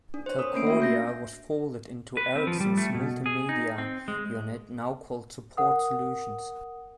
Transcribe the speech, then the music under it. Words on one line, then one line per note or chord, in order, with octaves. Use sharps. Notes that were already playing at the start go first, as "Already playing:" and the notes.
Telcordia was folded into Ericsson's multimedia unit, now called Support Solutions.
D4
C5 C#5
A#4 D#6
A3 A#3 C#4 C7 D7
F#4 E5
D4 G6 A#6
B4
C4
F3
G3
A3
B2
G#4
D#4
C4
G#3
A#4 F#5 D#6